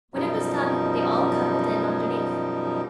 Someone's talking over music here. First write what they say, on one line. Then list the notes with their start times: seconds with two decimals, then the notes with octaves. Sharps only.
When it was done they all cuddled in underneath.
0.14 F#2 B2 F3 G3 D#4